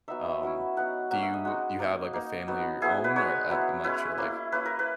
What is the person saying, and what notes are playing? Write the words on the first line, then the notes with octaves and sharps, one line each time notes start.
Um, do you you have, like, a family of your own, or I'm I'm not sure. Like
F#3 B3 D#4 E5
F#3 C#4 E4
F#3 B3 D#4 F#5
F#3 A#3 C#4 F#5
E5
D#5
G#3 D#4 F#4
A#3 D#4
A#3 D#4
F#3 B3 D#4
F#3 B3 E4 G#4
B4
G#3 D#4 C#5
F#3 B3 E4
G#3 C#4 E4 B4
A#3 E4
A#3 C#4 E4 B4
A#4
B4